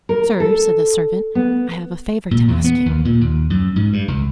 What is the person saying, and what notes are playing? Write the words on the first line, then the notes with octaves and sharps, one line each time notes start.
"Sir," said the servant, "I have a favour to ask you."
A#4
A4
B3
A#2
E2
B3
D#2
A#2
D#2
F#2
G#2
G2
C#2